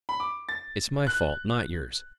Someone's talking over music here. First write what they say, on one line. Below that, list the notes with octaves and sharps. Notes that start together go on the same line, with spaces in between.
It's my fault, not yours.
B5
D6
A6
F#6